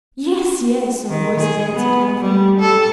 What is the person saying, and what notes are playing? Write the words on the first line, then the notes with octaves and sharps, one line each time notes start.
"Yes, yes!" some voices answered, laughing.
D#3
G#4
B3
G3
A4